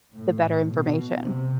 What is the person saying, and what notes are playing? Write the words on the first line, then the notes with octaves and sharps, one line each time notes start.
the better information?"
A2
B2
C3